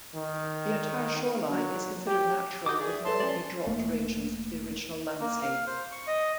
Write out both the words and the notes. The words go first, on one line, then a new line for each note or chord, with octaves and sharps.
The entire shoreline is considered natural with no major alterations to the original landscape.
D#3
F#3
G4
F#4 D6 D#6 G6
G#4 D5 E5
A4 B4 C#5 A5 C6
C#4 D5
E1 A3 A#3
A#3
F5
C5
C#6
D#5